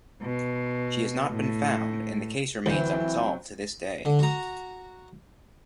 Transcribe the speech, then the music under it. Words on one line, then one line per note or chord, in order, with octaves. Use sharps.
She has not been found and the case remains unsolved to this day.
B2
A2
D2 E3 F#3 C4 E4
D3
F#4 A#5